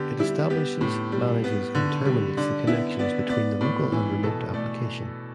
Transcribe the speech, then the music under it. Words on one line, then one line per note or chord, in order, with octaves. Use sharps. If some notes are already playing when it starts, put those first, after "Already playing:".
It establishes, manages and terminates the connections between the local and remote application.
Already playing: D3 B3 G4
G3 E4
B3 G4
A2
G3
B3
D3
G3
D3 D4
B3 E4
B3 D5
B3 D5
A2 D5
E3
B2 A4
A3 D5